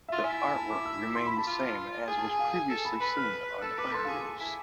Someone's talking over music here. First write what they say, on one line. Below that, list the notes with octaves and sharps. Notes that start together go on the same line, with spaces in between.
The artwork remained the same as was previously seen on the Fire release.
F4 E5
E4 G#5
G#5
A5
D6
E6
C6
B5
A5
F4
G#4 G#5
A5
G#5
F5
G#5
A4
B5
B4 B5
F6
A4 E6
B4 D6
A4 C6
G#4 F5
G#5
A5
E4 G#5